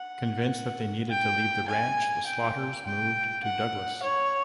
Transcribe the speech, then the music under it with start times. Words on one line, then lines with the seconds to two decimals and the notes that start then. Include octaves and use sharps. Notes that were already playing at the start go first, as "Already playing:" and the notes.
Convinced that they needed to leave the ranch, the Slaughters moved to Douglas.
Already playing: F#5
1.09 G5
1.68 G#5
2.26 G5
2.85 G5
3.44 F#5
4.02 C#5